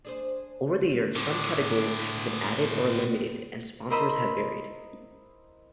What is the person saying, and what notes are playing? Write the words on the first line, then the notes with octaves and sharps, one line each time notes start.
Over the years, some categories have been added or eliminated and sponsors have varied.
D4 G#4 C5
A2 D3
E4 A#4 C5 D#5 B5 E6